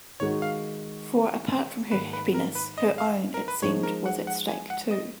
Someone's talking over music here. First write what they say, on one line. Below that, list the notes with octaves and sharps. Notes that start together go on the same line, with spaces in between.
For apart from her happiness, her own, it seemed, was at stake too.
D#3 G#3 D#4 F#4 C#5
F5
G#2 D#3 A#3 B4
B4
A#4
B4
D#5
F5
A#4
B4
F3 G#3 D#4 C#5
A#4
F#5
F#5
G#5
F#5
D#5